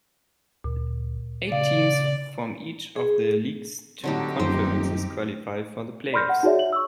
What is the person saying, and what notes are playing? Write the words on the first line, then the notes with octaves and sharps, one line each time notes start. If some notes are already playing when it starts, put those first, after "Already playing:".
Eight teams from each of the league's two conferences qualify for the playoffs.
D2 A#2
C#3 D5 F5
G#4
D3 F#3 C4 D#4 G4 A4
D#1 F#2 C5 G5
D5 B5 C6 F6 G6 A#6
F#5
D#4 F#4 G#4 C#5 D5 E5
C#5 E5 F#7
C#6 E6